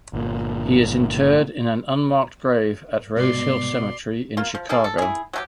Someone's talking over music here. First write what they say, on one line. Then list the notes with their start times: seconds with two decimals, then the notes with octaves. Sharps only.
He is interred in an unmarked grave at Rosehill Cemetery in Chicago.
0.13 G1 A#2
3.16 C2 G#2 B2 D5 C6
4.37 A#3 F4
4.55 F3
4.69 G3 A#3 G#4 A4
4.84 A4
4.98 E4 G#4
5.33 F#3 A3 G4